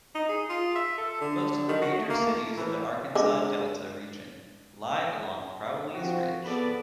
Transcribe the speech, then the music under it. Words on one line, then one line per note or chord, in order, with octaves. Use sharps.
Most of the major cities of the Arkansas Delta region lie along Crowley's Ridge.
D#4
G#4
F4
E5
A4
D3
D#3
F#4
A3
A#3
A3
E3
D3 G#3
F3 C4 F#4
B3 G#4 A4 B4 D5 B5